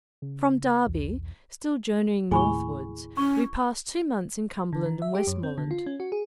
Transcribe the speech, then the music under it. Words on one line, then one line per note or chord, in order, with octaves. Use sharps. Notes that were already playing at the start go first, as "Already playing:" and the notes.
From Derby, still journeying northwards, we passed two months in Cumberland and Westmorland.
C#3
B1 E2
D#2 A2 C3 E4 G#4 G#5 B5 C#6
C#4 C#6
D3
D#3
E5
G4
F#2
C4
D3
F4
C#4
F#4
G#4